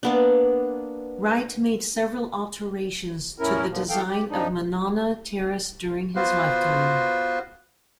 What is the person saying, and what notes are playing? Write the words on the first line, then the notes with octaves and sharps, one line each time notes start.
Wright made several alterations to the design of Monona Terrace during his lifetime.
A#3 B3 D4
E2 A2 C#4 E4 A#4
D#2 A#2 D3 F3
E3 B3 A4 F5 G5
G4
F2 F3 D4 D#4
B3 F4 F#4 B4 C5